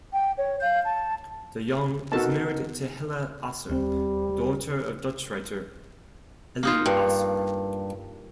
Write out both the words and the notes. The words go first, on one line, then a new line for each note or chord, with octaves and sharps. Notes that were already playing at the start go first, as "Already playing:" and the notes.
De Jonge is married to Hella Asser, daughter of Dutch writer Eli Asser.
G5
C#5
F5 G6
A5
B3 D#4 F#4 A4 A#4 A5
D#2 G3 C4
A#3 D#4 F4
G2